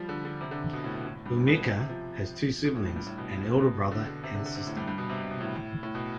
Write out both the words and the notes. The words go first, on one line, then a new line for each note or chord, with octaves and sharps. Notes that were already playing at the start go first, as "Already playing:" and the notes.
Bhumika has two siblings, an elder brother and sister.
Already playing: F3 G3
D3
D3
C3
D3
B2
A2
B2
A2
A2
G2
A2
B2
A2
C3
F3
B2
A2
G2
G2
A2
B2
B2
D3
D3
C3
D3
D3
C3
A2
G2
G2
B2
C3
B2
B2
A2
A2
B2